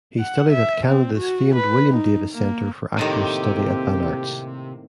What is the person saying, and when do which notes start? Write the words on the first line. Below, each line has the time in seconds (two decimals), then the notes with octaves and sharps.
He studied at Canada's famed William Davis Centre for Actors Study at VanArts.
0.20 F#5
0.52 E5
0.86 C4
1.18 F#4
1.55 B4
1.90 D#4
2.34 A#3
2.99 A2 C3 D#3 A#3 C4 G4